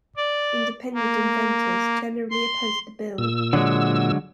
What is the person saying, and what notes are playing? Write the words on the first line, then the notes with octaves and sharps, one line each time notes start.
Independent inventors generally opposed the bill.
D5
A#3
C6
A#2 E6
D3 F#3 G#3